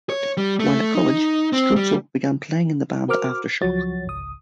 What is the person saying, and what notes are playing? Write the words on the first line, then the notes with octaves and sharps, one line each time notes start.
While at college Stroetzel began playing in the band Aftershock.
C#5
G3
A3
D#4
C4
G3
F#4 A#4 C5 D6 F6
C#2 F3 F#3 F#4 C#5 A6
G#1 C#2 D#6